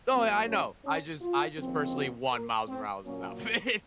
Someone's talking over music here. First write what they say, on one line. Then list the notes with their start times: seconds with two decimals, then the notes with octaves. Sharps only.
No, I I know. I just I just personally want Miles Morales' outfit.
0.11 G#2 F#3 A#3 C4
0.48 C#4
0.85 C#4
1.21 F4
1.59 D#2 C#3 F3 C4
1.96 F#4
2.32 A#4
2.68 C4
3.05 A#2 F#3 A#3 C#4